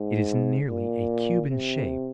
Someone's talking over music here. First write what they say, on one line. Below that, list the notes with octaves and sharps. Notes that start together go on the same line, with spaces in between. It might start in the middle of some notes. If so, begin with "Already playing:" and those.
It is nearly a cube in shape.
Already playing: G#2
A#2
C3